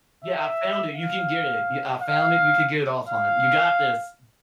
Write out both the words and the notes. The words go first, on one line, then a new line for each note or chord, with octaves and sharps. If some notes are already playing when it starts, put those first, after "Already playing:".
Yeah, I found it. You can get it. Ye I found it, you could get it offline. You got this.
E5
F5
F5
F5